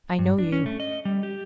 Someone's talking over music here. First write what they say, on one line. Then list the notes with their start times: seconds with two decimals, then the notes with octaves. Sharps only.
I know you.
0.19 G2
0.39 D4
0.52 C#4
0.66 A3
0.80 D#5
1.05 G3
1.23 G4